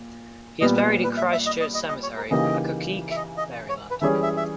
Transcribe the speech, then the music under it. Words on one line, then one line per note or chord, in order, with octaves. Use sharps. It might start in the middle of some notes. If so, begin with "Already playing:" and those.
He is buried in Christ Church Cemetery, Accokeek, Maryland.
Already playing: A#2
A#2 G3 B3 D#5
B4
B4
E5
E5
D#5
D#5
D#5
D#5
C#5
A#4
C#3 E3 A#3 D#4 G4 D#5
E5
D#5
D#5
C#5
B4
E3 G3 C#4 G#4 E5
E5
E5